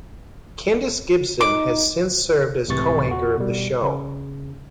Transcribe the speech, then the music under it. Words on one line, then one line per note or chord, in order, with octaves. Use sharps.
Kendis Gibson has since served as co-anchor of the show.
D#4 D6
C#2 A2 C3 E3 C#6 A6
E2 F#4
B2 G3
C#3